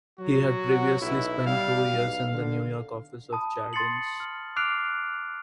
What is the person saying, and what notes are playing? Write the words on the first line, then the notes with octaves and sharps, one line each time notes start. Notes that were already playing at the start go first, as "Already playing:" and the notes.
He had previously spent two years in the New York office of Jardines.
F#3 F#4
B1 E4
G3 F5
B1
D3
A5 B5 D#6
C6 A6 C7 C#7 F#7
F6
D6 F6 F#6 C7 D7 F7